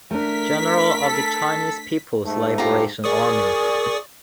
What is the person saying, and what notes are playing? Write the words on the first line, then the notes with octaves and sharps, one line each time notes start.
General of the Chinese People’s Liberation Army.
A3 D4 A#4 B6
A4
G#2 A3
F4 G4 A#5
G#4 A#4 D5 C#6 D#6